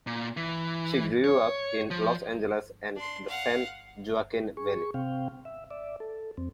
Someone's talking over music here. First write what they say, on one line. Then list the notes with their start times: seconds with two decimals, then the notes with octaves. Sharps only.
She grew up in Los Angeles and the San Joaquin Valley.
0.07 A#2
0.37 E3
1.24 C#5
1.91 F3
2.96 D4 C6
3.28 F5 F#5
4.57 G#4 C#6
4.94 C3 C4 F5 G5
5.45 E5
5.70 D5 E5
6.00 A4
6.37 F2 C4